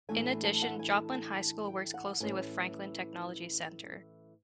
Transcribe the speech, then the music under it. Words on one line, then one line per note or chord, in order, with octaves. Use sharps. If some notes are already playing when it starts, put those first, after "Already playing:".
In addition, Joplin High School works closely with Franklin Technology Center.
A2 E3 A3 D4 G#5
G#5
A5
F#5
G#5
A5
G#5
G5
F#5
A2 E3 A3 C#4 G#5